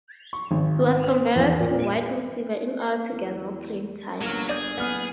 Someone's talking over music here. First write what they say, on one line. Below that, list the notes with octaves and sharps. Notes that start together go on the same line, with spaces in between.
He was converted to wide receiver in order to get more playing time.
C#6
G#1
C5
E2
A#2
E2
G1 F#3 A#3 F6
G#4 D5 G6
F#1 B3 F6